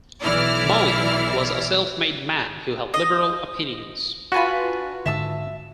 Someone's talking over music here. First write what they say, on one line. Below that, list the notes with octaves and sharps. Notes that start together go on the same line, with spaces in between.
Morgan was a self-made man who had liberal opinions.
B1 E3 E4 D5 F6
D#5
D4 F4 F#4 B4 G#5 B5
G#2 D3 E5 A5 E6